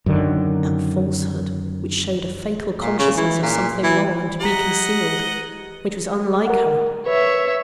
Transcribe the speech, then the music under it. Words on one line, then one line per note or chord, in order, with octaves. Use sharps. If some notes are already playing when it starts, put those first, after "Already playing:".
But that falsehood! which showed a fatal consciousness of something wrong, and to be concealed, which was unlike her.
F#2 D3 D#3
A#2
C#3
E3
A#2
E3
G4 D#5 F#5 A#5 B6
A#4 F#5
B4 C#5 E5